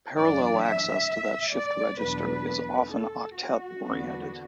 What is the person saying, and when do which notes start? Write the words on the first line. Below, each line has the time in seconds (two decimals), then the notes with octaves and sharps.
Parallel access to that shift register is often octet-oriented.
0.18 F#2 E3 D4 D5
0.64 E5
1.55 D5
2.00 E2 B2 F#3 B3 D4 B4
2.92 A4
3.38 F#4
3.84 E2 D3 B3 D4